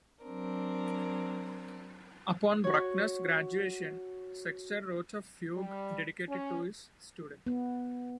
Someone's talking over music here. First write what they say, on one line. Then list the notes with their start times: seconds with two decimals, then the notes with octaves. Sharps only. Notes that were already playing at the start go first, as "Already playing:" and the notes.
Upon Bruckner's graduation, Sechter wrote a fugue dedicated to his student.
0.24 F#3 C4 D4 A#4
2.64 F#4 C#5
5.56 G3
6.28 C#4
7.47 B3